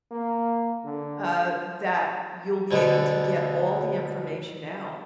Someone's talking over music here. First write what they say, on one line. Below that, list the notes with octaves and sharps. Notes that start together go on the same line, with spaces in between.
uh, that you'll be able to get all the information out.
A#3
D3
D2 B2 D3